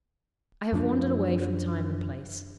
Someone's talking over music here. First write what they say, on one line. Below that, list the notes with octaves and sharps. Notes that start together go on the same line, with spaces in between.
I have wandered away from time and place.
F#2 F3 D4